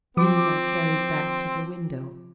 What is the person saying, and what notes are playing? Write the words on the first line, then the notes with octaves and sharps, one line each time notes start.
These I carried back to the window.
F3 C4 D6